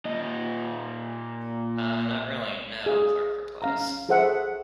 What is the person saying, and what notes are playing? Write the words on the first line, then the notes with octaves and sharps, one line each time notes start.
"Uh, not really, no", Clark replies.
A#2 D#5
G#4 F5
C#4 F5 A#5
G#4 A4 C5 E5 F#5